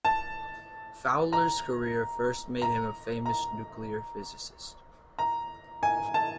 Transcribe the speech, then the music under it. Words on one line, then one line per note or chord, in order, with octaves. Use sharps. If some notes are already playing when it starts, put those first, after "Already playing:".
Fowler's career first made him a famous nuclear physicist.
A5
A#5
A#5
A#5
A#5
G#5
A5